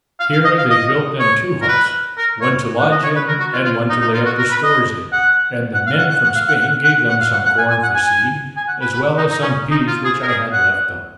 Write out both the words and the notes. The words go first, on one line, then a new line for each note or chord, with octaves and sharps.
Here they built them two huts, one to lodge in, and one to lay up their stores in; and the men from Spain gave them some corn for seed, as well as some peas which I had left them.
F5
F5
D#5
F5
D#5
C#5
A#4
B4
A#4
C#5
F#5
D#5
C#5
B4
A#4
F#4
F4
F4
D#4
D#4
F4
F#4
A#4
B4
D#5
F#5
F#5
F5
F#5
F#5
F#5
F5
F#5
F#5
F#5
F#5
F5
F#5
F#5
G#5
G#5
F#5
G#5
G#5
G#5
F#5
B4
B4
D#4
D#4
C#4
D#4
F4
G#4
A#4
G#4
F#5